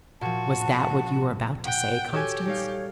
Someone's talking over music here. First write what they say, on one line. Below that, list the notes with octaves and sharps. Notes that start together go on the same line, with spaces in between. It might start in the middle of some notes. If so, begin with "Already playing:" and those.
"Was that what you were about to say, Constance?"
A#2 F3 F#4 A5
F#5 G5
F#4 G4 A4 C#5 G#5
G3 D#4 C#5 F5